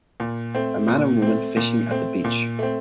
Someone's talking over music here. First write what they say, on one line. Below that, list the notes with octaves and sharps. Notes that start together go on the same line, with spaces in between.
A man and woman fishing at the beach.
A#2
A3 C4
A#2
A3 C4
A#2
A3 C4
A#2
A3 C4